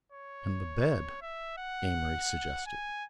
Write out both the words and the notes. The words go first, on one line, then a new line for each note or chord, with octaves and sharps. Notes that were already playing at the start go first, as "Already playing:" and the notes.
"And the bed," Amory suggested.
C#5
E5
F#5
G#5